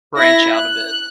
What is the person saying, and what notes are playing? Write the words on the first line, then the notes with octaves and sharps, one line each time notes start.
branch out a bit.
E4 A#6
F#6